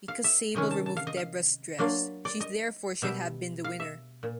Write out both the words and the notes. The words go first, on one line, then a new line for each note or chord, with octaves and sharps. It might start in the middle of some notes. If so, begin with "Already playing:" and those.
Because Sable removed Debra's dress, she therefore should have been the winner.
F5
E5
C3 D#3 G#3 C#4 D#5
A5
A5
F5
D#5
F5
F#3 A#3 D4 F4
D5
D#5
B2 G3 B3 E5
F5
E5
A#2